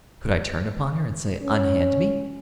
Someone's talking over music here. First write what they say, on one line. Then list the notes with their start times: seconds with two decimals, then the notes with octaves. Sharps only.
Could I turn upon her and say "Unhand me"?
1.42 C#4